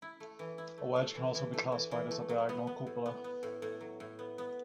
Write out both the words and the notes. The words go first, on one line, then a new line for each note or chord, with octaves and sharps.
A wedge can also be classified as a digonal cupola.
E4
A3
E3
E4
A3
A3
E3
E3
A3
E3
E3
A3
F#3
B3
B3
A2
B3
B3
A2
A2
F#3
A2
B3
B3